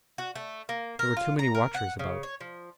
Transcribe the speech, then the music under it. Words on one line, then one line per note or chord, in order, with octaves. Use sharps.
There were too many watchers about.
F#4
A3
A#3
A#4
F4
A#5
A#4
F#5
C#3
C#5
F3